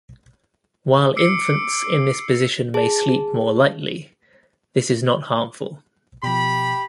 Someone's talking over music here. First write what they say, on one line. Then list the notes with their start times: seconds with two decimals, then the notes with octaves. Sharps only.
While infants in this position may sleep more lightly this is not harmful.
1.17 D6 E6 C7 C#7
2.74 G#4 A5
6.23 B2 F3 G4 B5